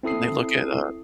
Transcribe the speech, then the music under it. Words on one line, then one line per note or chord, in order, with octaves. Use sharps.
when they look at, uh
C4 E4 A4 D#6 C7